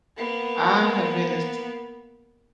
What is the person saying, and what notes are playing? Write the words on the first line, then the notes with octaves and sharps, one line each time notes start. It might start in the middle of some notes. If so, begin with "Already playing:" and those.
I have been this
A#3 B3